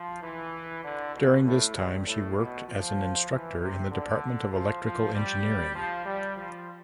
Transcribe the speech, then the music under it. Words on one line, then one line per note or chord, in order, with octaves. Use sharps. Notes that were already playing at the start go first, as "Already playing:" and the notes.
During this time she worked as an instructor in the Department of Electrical Engineering.
Already playing: F3
E3
D3
B2
A2
G2
A2
B2
F3
E3
C3
D3
F3
F3
G3
F3
G3
F3